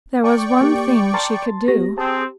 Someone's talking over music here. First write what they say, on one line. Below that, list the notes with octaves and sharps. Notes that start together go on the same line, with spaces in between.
There was one thing she could do.
D5 G5 A5 C#6
A#3 G4
B4 A5 A#5 C6 A6
B3 G4 A#6
C4 G#4 A5